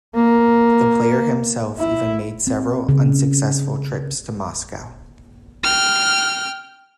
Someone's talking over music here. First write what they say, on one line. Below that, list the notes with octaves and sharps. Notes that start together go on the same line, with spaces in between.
The player himself even made several unsuccessful trips to Moscow.
A#3
E4
C4
C#3
G5 F6